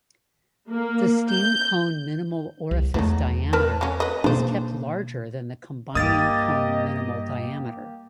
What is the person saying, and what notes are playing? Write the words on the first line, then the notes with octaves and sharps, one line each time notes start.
The steam-cone minimal orifice diameter is kept larger than the combining cone minimal diameter.
A#3
G6
C2
E2 F#3 A3 D#4
A#4 B4 A5
F#3 C#4
B4 D#5
B2 G#3 A#3 D4 C5
G2 A#3 G4 D#5 D#6 A6